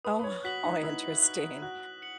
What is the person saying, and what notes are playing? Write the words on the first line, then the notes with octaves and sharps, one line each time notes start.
Oh, how interesting
B4 D#6
B4
C#5
F#4 F#6 B6 F#7
D#4
E4 D#6
F#6 B6 F#7
F#4 F#6
C#7 F#7